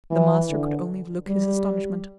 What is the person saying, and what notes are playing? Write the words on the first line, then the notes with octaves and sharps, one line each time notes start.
The master could only look his astonishment.
E3
D3
G3